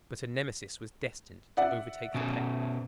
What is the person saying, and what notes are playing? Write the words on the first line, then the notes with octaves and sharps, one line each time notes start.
But a nemesis was destined to overtake the pair.
D5 E5 F#5
B2 C#4